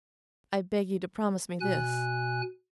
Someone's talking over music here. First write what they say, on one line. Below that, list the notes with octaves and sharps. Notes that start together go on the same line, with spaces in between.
"I beg you to promise me this."
B2 G#5 F#6